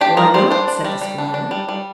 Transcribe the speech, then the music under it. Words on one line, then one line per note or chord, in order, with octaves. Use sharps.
"Why not?" said the squire.
D4 G4
G3 A#4
G3 C5
D4 C5
D4
G3
G3
D4
D4
G3
G3